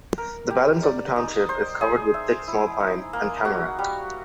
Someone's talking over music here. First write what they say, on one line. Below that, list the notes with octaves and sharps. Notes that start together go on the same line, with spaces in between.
The balance of the Township is covered with thick small Pine and Tamarack.
A#4
G4
D5
D#4
C5
G#4
E5
E4
D#4
A#3
F#4
G3